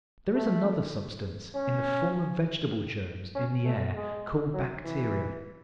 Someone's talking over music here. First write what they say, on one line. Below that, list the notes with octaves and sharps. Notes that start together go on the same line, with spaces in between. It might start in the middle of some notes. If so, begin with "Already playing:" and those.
There is another substance in the form of vegetable germs in the air called bacteria.
A3
C#4
C#4
A3
G#3
F#3
E3